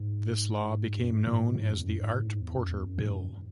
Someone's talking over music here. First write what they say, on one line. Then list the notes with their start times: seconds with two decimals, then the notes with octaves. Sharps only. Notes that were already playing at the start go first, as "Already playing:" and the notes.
This law became known as "The Art Porter Bill".
Already playing: G#2
0.98 F#2
1.13 G#2
1.27 G#2
1.41 A2
1.55 G#2
1.70 F#2
1.78 E2
1.84 F#2
1.98 G#2
2.12 A2
2.27 G#2
2.41 E2
2.55 F#2
2.69 E2
2.84 F#2
2.98 G#2
3.12 F#2